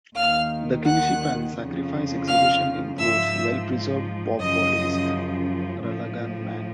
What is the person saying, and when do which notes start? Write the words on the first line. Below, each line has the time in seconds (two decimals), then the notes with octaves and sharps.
The Kingship and Sacrifice exhibition includes well preserved bog bodies and Ralaghan Man.
0.15 D#2 D#3 F5 F6
0.86 F#5 F#6
1.57 F2 C#3 F3
2.28 F5 F6
2.98 G#2 F3 E5 E6
4.39 F#2 C#3 F3 D#5 D#6
5.80 A2 F3